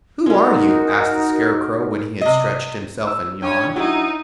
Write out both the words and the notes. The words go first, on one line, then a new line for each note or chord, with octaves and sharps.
"Who are you?" asked the Scarecrow when he had stretched himself and yawned.
G#3 C#4 D#4 F#4 A#4
C3 D#5
E6
C#4 D4 C#5 G5
F#3 D#4 E4 F#4